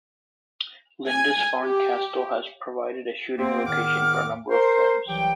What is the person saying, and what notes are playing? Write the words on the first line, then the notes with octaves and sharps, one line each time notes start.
Lindisfarne Castle has provided a shooting location for a number of films.
G#5
G4
E2 A#3 C4
E2 A2 D#3 F#5 D6 F6
A#4 C5
C2 E3 F#3 G4 G5